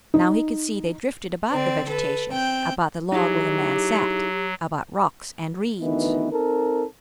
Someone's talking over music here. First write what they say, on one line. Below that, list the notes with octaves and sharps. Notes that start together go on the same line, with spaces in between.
Now he could see they drifted about the vegetation, about the log where the man sat, about rocks and reeds.
D#4
D3 C4 D5
A4 B4
C4 G5 G6
F#3 D#4 E4 G4 G#4
D2 D#3 E3 B3 D#4
C4 D#4 A4 A#4